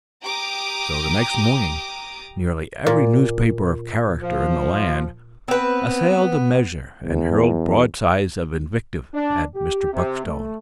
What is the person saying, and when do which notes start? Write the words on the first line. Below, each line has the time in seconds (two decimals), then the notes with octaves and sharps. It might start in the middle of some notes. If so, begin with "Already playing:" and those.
So the next morning, nearly every newspaper of character in the land assailed the measure and hurled broadsides of invective at Mr. Buckstone.
0.23 G4 A#5 D6 D#6
2.87 A#2
4.22 F3
5.48 B3 C4 B4
7.05 E2
9.14 D4
9.55 G4
9.93 C3
10.24 A3